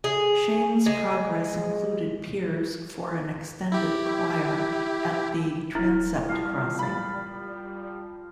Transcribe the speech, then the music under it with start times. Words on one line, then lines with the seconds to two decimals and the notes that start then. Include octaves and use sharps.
Cheyne's progress included piers for an extended choir at the transept crossing.
0.04 G#4
0.86 G#3
3.72 E4 G4
5.75 D1 E4 A#4
6.29 F3 G3 F5
6.79 B5 A6